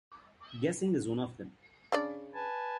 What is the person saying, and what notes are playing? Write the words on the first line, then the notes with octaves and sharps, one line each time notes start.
Guessing is one of them.
C#3 D4 D5
B4 G#5 A5